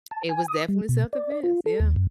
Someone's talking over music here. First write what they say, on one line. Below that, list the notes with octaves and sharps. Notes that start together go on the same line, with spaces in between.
It was definitely self-defense. Yeah.
A5
G#5
D#6
G3
B2
D5
D5
F4
A4
D#2
F#2